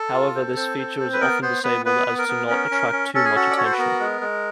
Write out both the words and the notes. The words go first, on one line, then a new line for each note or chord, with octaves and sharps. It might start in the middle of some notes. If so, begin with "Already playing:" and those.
However, this feature is often disabled as to not attract too much attention.
Already playing: A4
F4
C4
C4
C4
C4
B4
B3 A#4
B3 C5
B3 B4
B3 B4
B3
A#4
B3
C#4
C#4
C#4
C#4 A4
G#4
F#4 A4
D5
F#4 C#5
C5
B4
B3 A#4
G#3
G#3